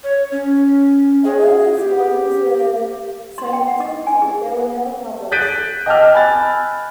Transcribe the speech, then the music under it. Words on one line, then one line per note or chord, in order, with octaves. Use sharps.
Although these volumes were sanctioned, they were never published.
C#5
C#4
G#4
G4
C6
G5
F#5
D6
G#5
G#4
F#6 G6 A6 B6 D7 D#7
D#5 G5 A5 D6 E6 F6
G#5 B5 F#6 A6